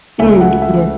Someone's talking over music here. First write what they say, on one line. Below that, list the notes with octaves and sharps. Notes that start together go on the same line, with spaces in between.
Mm, yeah.
C#2 C#3 A3 E5
F#5
E5